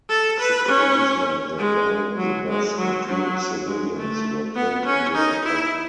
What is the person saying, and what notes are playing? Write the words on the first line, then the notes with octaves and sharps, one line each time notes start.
Six policemen that guarded the bus and two civilians were killed in the attack.
A4
B4
C#4
G#3
F#3
G#3
F#3
F#3
G#3
A3
B3
C#4
D#4
E4